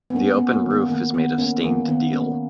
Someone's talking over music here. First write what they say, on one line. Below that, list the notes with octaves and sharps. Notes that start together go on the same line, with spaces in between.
The open roof is made of stained deal.
B3
A#3 C#4
B3
A#3
A#3
D#3
B3
D#3 A#3
A#3 B3
A#3 C#4
B3
D#3 A#3
D#3 B3
A#3 C#4